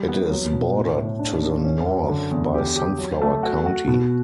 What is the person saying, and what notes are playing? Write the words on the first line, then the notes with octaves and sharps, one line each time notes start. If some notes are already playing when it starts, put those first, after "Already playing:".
It is bordered to the north by Sunflower County.
Already playing: G3
B3
F#3
B2
A2
A2
D4
D4
C#4
F#2
D3
E2
G4
G4
F#3
A3
F#4
F#4
B2